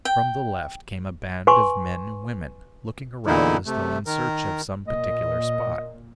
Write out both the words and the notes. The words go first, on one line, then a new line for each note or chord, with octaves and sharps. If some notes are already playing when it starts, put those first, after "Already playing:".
From the left came a band of men and women, looking around as though in search of some particular spot.
G5
B4 G#5 C6 C#6
E2 A#2 D3 D#4 E4
C3 A3
D#3 A#4
A#2 D#5